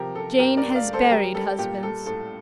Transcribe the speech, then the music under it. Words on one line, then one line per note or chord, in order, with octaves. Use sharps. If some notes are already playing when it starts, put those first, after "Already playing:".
Jane has buried husbands.
Already playing: C3 F3 G4 A#4
C3 A4
G2 G4 A#4
A#4 D5
G2
D5 F5
A3
A4 C5
G3 G4 A#4
G3 A4
A#2 G4
G3 A4
A2 A4